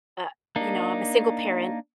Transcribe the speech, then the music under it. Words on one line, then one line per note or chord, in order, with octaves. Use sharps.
uh you know, I'm a single parent
A#3 D4 D#4